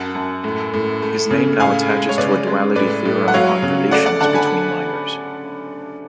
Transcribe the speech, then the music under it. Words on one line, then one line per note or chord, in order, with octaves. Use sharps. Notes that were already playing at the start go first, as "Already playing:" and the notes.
His name now attaches to a duality theorem on relations between minors.
Already playing: F#2 F#5 A5
F#2
A2
A2
A3
C#3
A2 F5 G#5
G#3
C#5
C#3 B4 D5
G#3
A2 B4 D5
A2
F#5
F#3 C#5 F5
C#3
A3 D5 F#5
D5 F#5
D3 F#5 A5
G#5 B5